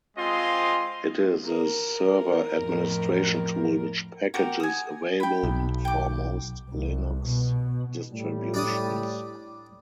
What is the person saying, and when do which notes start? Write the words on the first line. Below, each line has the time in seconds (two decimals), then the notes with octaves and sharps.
It is a server administration tool, with packages available for most Linux distributions.
0.17 G#3 C4 F4 D#5 C6
1.45 A#4
2.56 F2 A2
4.34 F#4 G4 A#4
4.60 G#5 D#6
5.20 G5 B5
5.43 B1
5.85 G5 D6
6.70 C2
7.26 B2
8.12 A2 G3
8.54 D4 D5 D#6